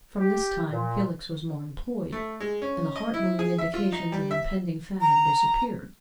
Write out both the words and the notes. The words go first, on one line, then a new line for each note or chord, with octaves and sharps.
From this time Felix was more employed, and the heart-moving indications of impending famine disappeared.
G4
A#2
A3
G#3
C#4
D#5
E4
G#4
E5
F4
D#4
G3
E5
A#5